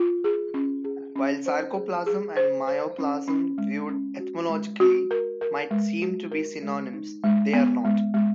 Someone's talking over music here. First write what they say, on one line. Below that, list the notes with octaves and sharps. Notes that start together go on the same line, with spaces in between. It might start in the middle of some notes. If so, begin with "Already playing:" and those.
While "sarcoplasm" and "myoplasm," viewed etymologically, might seem to be synonyms, they are not.
Already playing: F4
G#4
C#4
G#4
C#4
C5
G#4
G#4
C5
C5
C#4
C#4
G#3
C#4
F#4
G#3
F#4
A#4
A#4
G#3
F#4
A#4
G#3
D#4
G#3
B3
G#3
G#3